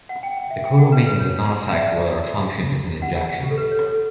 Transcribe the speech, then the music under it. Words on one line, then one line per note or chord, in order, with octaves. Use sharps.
The codomain does not affect whether a function is an injection.
F#5
G5
F#5
E5
G5
F#5
B4
B4
C#5
E5
D5
F#5
F#5
F#5
G4
A4
B4
C#5
A4